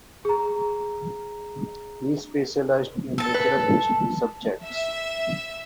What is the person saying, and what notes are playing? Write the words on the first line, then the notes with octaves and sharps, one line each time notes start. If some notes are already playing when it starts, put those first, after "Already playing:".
He specialised in natural history subjects.
G#4 A#5
A4 A5
B4
E5